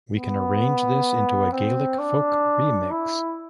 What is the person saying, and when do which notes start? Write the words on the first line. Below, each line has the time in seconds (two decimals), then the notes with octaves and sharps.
We can arrange this into a Gaelic folk remix.
0.15 B3
1.52 C4
1.99 D4
2.91 E4